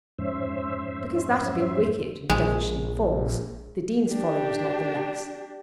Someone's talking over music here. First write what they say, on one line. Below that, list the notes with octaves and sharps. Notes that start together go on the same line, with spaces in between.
Because that had been wicked and devilishly false, the Dean's folly was not the less.
F2 G#2 C#4 C5 E5
A#1 G#3
D4 G4